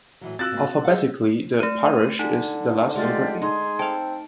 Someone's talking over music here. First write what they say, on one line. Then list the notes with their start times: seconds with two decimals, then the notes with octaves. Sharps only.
Alphabetically, the parish is the last in Britain.
0.21 A2 E3 F#3
0.39 C4 F4 F#4 E6 F#6 A6
0.52 G#2 C#3 A#3
0.69 A5
0.85 G#4 D#5 F5 F#5
1.60 A3 D#7
2.19 D3 D#4
2.95 G#3 A3 F4 G4 D5
3.42 D#4 G#4 C6
3.79 C4 A4 F5 A5